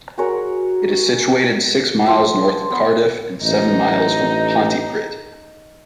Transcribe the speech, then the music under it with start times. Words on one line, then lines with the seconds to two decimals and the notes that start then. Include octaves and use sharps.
It is situated six miles north of Cardiff and seven miles from Pontypridd.
0.18 F#4 G#4 A#4 C#5
2.06 F3 C5 C#5 D6
2.70 B3
3.42 A1 D#4